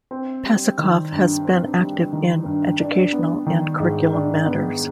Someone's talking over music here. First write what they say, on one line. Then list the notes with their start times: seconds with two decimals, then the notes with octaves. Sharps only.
Pasachoff has been active in educational and curriculum matters.
0.11 C4
0.45 G3
0.78 D#3
1.12 G2
1.45 C4
1.79 G3
2.13 D#3
2.46 G2
2.79 D4
3.12 B3
3.46 D#3
3.80 G#2
4.13 D4
4.47 B3